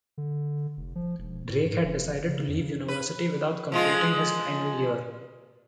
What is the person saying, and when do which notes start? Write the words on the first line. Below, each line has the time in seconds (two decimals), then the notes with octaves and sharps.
Drake had decided to leave university without completing his final year.
0.18 D3
0.77 F1
0.95 F3
1.19 E1
1.50 A2
1.66 G#2
1.84 F1
2.28 C#3
2.48 F2
2.61 C#3
2.88 B4
3.72 F3 G#3 F4